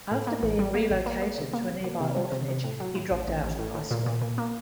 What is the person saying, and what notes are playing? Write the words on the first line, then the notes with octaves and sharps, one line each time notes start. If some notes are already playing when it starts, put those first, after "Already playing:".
After being relocated to a nearby orphanage, he dropped out of high school.
A2
A#3
A1
G3
A#3
A1
A#3
A#3
C3
A#3
C2
A#3
C3
G3
C3
C3
A2
F#3
A2
A1
A1
A1
A2
A2
A#2
A#2
A#2
A#3